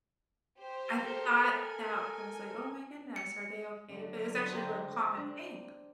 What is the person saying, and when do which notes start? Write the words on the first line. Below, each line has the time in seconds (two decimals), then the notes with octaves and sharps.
I thought that was, like, "Oh my goodness, are they okay?" but it was actually a really common thing.
0.57 G4 C5
1.01 A4 A#4
1.56 G#5
3.16 C#7
3.92 D3 F#3
4.53 G4 C5 A#5
5.17 D4